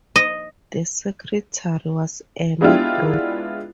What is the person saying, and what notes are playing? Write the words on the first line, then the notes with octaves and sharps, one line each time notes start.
The secretary was Emma Brooke.
D#5
G#3 B3 D4 E4 F4 G4